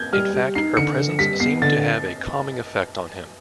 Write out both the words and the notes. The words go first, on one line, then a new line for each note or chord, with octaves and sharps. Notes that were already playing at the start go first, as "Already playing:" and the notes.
In fact, her presence seemed to have a calming effect on him.
Already playing: G6 G#6
G3 F6
G3
D#4 C7
D3 C#7
D3
G3 B6
B3 C7
D3 A6